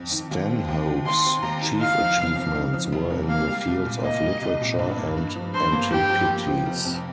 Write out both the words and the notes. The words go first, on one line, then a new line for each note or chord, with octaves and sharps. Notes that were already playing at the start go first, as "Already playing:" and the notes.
Stanhope's chief achievements were in the fields of literature and antiquities.
Already playing: F2
D#3
D#2
C4
D#2
D#3
D#2 C6
C4
D#2 A#5
D#3
D#4 F5
F3
F1
F2
D#4
F3
F1
F2
A#3 F5
G3
C2
A#2
A#3 D#5
G3
C2
A#2
G2
A#3
G2
F3
G2 C5
A#3
G2 G4
F3
A#3
F3
F1
F2